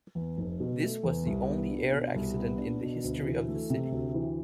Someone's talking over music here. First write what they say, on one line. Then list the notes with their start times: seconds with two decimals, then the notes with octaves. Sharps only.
This was the only air accident in the history of the city.
0.15 E2
0.37 F1
0.60 B2
0.82 A3
1.03 E2
1.26 C2
1.48 B3
1.70 D4
1.92 B2
2.15 C2
2.36 B3
2.58 D4
2.81 B2
3.04 D2
3.26 E3
3.48 A3
3.70 C3
3.92 D2
4.14 E3